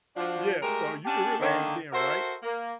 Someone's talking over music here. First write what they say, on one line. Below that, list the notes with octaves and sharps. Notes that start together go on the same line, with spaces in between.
Yeah, so you can relate then, right?
F3 D4 F#4
G#3 A3 G4 A#4
C#4 D4 G4 F#5 A5
D3 D#3 A#3
F#4 A4 A#4 C5 E5
A#3